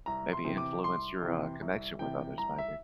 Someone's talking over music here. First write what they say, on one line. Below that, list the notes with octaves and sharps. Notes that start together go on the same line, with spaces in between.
maybe influence your, uh, connection with others maybe?
C2 A#5
C6
C3 E3
D6
C2 C6
C3 E3
C2
C3 E3 G5
C2 A#5
E5